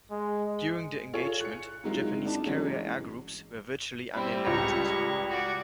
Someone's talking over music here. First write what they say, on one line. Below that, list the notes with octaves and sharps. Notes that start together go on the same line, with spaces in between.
During the engagement, Japanese carrier air groups were virtually annihilated.
G#3
F4 G#4 A4 C#5
F#6 C#7
D#3 F#3 G#3 C4 E4 F4
D4 D#4 A5
E3 F#3 G#3 C#4 D4
G3 C4 E4
C#2 A#5 C#6
F#4 D5